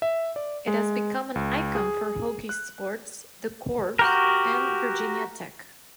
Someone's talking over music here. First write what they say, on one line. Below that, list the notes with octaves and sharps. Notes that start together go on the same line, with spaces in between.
It has become an icon for Hokies sports, the Corps, and Virginia Tech.
E5
D5
G#3
C#2
G#4
F#6
F#4 G4 A#4